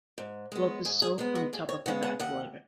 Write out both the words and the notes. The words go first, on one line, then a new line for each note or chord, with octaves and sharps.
Float the soap on top of the bath water.
G#2
G#3 B3
G#2 G#4
G#4
G#3 B3 D#4
F#4
D#2 G#4
C#5
C#3 G#3 B3 F#5
F#5
D#2 F#5